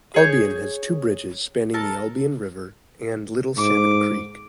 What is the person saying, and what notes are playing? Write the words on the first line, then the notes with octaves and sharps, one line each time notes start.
Albion has two bridges, spanning the Albion River and Little Salmon Creek.
G#4 C#5 G6
A4 A#4 A5
G#2 D6